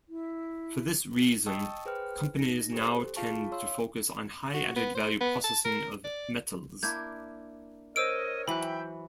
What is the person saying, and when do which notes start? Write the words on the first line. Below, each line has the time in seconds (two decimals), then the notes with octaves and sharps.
For this reason, companies now tend to focus on high added-value processing of metals.
0.09 E4
1.46 D#5 G5 A5 C#6 D#6 E6
1.86 G#4 B4 C5 G5 F6
2.34 D#4 A#6
2.73 G4 A4 C5
3.16 F4 G#4 F5 A5 C#6
3.52 C#5 F5 C6 E6
4.54 F#4
4.76 B3
4.95 C5
5.21 B3
5.44 A5
5.65 A#4
6.04 D5
6.83 A#3 D4 E4 G6 G#6
7.96 A#4 C5 C#5 D#5 E6 D7
8.48 E3 F#3 E5 G5 B5 F#6